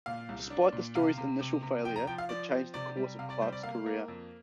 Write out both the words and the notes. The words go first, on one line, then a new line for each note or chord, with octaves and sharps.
Despite the story's initial failure, it changed the course of Clarke's career.
A#2 F5
C2
D4
A#2
C3 F5
C3
C3
C3
F3 G5
A#5
F3 G5
F5
F3 D5
C4
C3 D5
G3
C3 F5
D5
G3 C5
D5
A#3 F5
A#3
F2